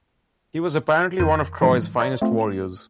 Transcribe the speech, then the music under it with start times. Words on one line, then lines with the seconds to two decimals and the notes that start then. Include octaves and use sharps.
He was apparently one of Troy's finest warriors.
1.20 F2 D#3 A#4 C6 G6 D#7
1.61 G#2 D3 E3 F3 G#3
2.00 C#5 D5 A#5 E6 G#6
2.22 A3 C4 F4
2.41 E7